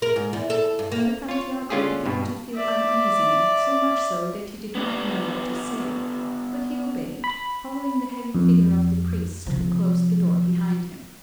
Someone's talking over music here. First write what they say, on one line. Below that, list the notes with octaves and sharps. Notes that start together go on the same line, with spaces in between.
Capitan Tiago began to feel uneasy, so much so that he did not know what to say; but he obeyed, following the heavy figure of the priest, who closed the door behind him.
A#4
G#2
E2
A4
G2
A#3
F4 C#5
D3 C#4 F4 G4 G#4
G2 B2
D5 E5
B3 D4 G4
B5
F2
C3 F3